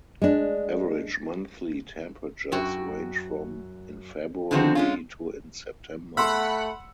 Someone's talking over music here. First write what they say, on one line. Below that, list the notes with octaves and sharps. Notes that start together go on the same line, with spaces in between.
Average monthly temperatures range from in February to in September.
G#3 D4
F#2 F#4 G5
D3 D#3 F3 C4 F#4
G#3 C#4 F4
A3 F#5 B5 C6 E6